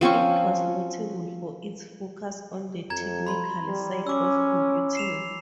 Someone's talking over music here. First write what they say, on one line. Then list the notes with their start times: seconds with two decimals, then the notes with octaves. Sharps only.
It was notable for its focus on the technical side of computing.
0.01 F3 C4 C#4 C#6
2.90 F2 A#5 G#6
3.27 B5 C6
3.66 G3
4.07 C#4 D6 E6
4.95 C7 E7 F7